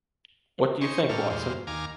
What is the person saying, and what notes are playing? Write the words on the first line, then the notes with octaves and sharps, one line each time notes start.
What do you think, Watson?
D#4 C5 C#5 G#5 C#6
A2 G3 A#3 C#4 A4 F6
E2 G2 A#2 G#3 C5 F5
D#2 F5 G#5 A#5 D6